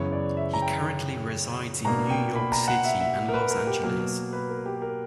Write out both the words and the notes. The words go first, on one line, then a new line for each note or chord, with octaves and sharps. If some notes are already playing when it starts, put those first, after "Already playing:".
He currently resides in New York City and Los Angeles.
Already playing: F#2 C#3 E3 B3 C#5
D5
E5
A#5
G5
B2 A#3 D4 A#5
G5
B5
A#5
F#5
E5
E5
A#4
B4
A#4
G4
B2 F#3 A#3 A#4
B4
A#4
G4
A#4